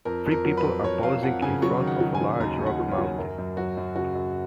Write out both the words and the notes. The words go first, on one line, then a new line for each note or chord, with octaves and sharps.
Three people are posing in front of a large rock mountain.
F2 A#4
F2
A#4
F#3
B4
F2
F2 C#5
F2 F5
F2 F#5
C#3 G#5
F#3 C#6
D#3
F#5
F#3
G#5
F#3
D#2 A#5
D#2
F#5
F#3
C#5
F#3
F#2 A#4
F#2
F#3 F#4
F#2
C#3 F#4
F#2